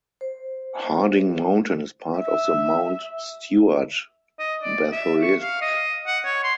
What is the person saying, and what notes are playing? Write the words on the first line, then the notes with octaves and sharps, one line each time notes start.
Harding Mountain is part of the Mount Stuart batholith.
C5
E5
D#5
D5
E5
C#6
F5
D#5
F#5
C#5
C6